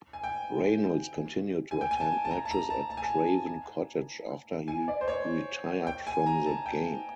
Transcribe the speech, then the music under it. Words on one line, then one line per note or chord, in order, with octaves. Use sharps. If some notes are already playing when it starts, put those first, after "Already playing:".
Reynolds continued to attend matches at Craven Cottage after he retired from the game.
G#5
G5
G#5
G5
G#5
A5
A5
A#5
A5
A#5
A5
A5
G#5
A5
G#5
D5
C5
C#5
G5
G#5
A#5
A5
G5